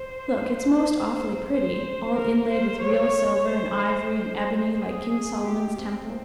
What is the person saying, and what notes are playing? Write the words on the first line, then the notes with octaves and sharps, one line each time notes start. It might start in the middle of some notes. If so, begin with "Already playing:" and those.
Look, it's most awfully pretty - all inlaid with real silver and ivory and ebony like King Solomon's temple.'
Already playing: C5
C5
A#4
C5
C#5
C5
C5
G#4
G4
C4